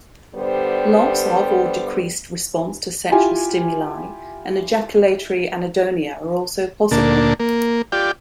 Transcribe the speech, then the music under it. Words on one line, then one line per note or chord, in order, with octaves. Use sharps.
Loss of or decreased response to sexual stimuli and ejaculatory anhedonia are also possible.
D3 G3 B3 G4 C5
E4 F4 G4 G#5
D2 A#2 A#3 D4 A5
A#3
F4 G4 D5 G5